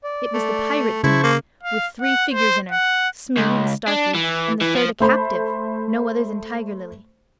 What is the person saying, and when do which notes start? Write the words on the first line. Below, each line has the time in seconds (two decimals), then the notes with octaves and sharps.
It was the pirate dinghy, with three figures in her, Smee and Starkey, and the third a captive, no other than Tiger Lily.
0.04 D5
0.34 A3
1.04 C#3 E4 C5 A5 C#6
1.23 A#3
1.63 F5
2.01 F#5
2.33 C5
2.72 F#5
3.37 C#2
3.87 D4
4.14 E3
4.61 E3
4.76 F3
5.00 A3 C5 B5